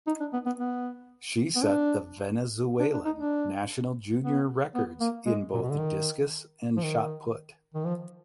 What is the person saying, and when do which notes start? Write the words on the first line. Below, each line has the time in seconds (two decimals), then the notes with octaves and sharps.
She set the Venezuelan national junior records in both discus and shot put.
0.07 D#4
0.20 D4
0.33 B3
0.46 B3
0.58 B3
1.55 B3
1.62 D4
2.80 D4
2.93 D4
3.05 D#4
3.18 D4
4.23 B3
4.75 B3
5.00 A#3
5.26 G#3
5.53 A#2
5.62 B2
5.71 D3
5.78 D#3
6.77 F3
6.83 D#3
7.75 D#3
7.86 F3